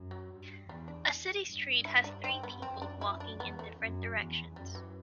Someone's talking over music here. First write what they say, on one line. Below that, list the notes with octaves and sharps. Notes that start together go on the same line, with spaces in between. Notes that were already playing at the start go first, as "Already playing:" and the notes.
A city street has three people walking in different directions.
Already playing: F#2
F#3
G2
E2 G3
D4
G2
E4
D4
C4
B3
F#2 C4
D4
E4
D4
E2 B3
A3
F#2
E2
F#2 G3
E3